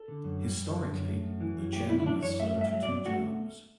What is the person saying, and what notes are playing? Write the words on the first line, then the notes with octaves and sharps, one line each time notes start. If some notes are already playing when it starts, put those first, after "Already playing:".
Historically, the Chairman has served two terms.
Already playing: A4
D3
F#2
G3
F#2
D3
F#2
A3
F#2
E3
F#2
A3 G4
F#2 E4
E4
E3 D4
F#2 C#5
A3 E5
G2
E5
F#3
D5
G2
A3 F#4